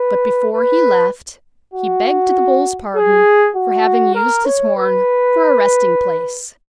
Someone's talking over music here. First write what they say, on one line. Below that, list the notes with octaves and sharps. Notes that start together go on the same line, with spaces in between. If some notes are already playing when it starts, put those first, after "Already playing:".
But before he left he begged the Bull's pardon for having used his horn for a resting place.
Already playing: B4
B4
F#4
G#4
F#4
A#4
C#5
B4